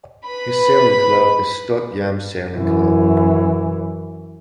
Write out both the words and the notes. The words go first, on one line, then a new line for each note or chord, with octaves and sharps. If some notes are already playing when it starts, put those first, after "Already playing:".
His sailing club is Sdot Yam Sailing Club.
B4 B5
F#2 E3